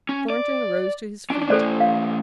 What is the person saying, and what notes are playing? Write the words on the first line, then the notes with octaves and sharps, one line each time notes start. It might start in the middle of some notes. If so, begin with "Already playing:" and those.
Thornton rose to his feet.
C#4
D5
C#4 D4 G#5
A3 C#4 A4 C5 D5
F5